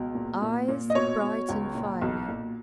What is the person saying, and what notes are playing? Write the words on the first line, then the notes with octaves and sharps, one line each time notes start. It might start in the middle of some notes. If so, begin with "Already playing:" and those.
EYES--Bright and fiery.
Already playing: C#2 B2
A#2
A#2
A#2
D#5
B2 C#5
B2
C#2
A#2
B1
A#2